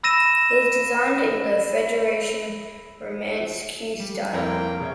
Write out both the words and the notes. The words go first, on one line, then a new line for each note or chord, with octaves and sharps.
It was designed in the Federation Romanesque style.
B5 E6 A#6 D#7 E7
G3
F1 A#3 E4 G5 A#5
C3 G#4 C#5 E5